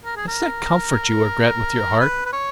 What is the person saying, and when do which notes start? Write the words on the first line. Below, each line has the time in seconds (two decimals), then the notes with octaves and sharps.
It's not comfort you regret, with your heart!
0.05 A#4
0.16 G#4
0.28 A#4
2.00 B4
2.25 B4
2.33 C#5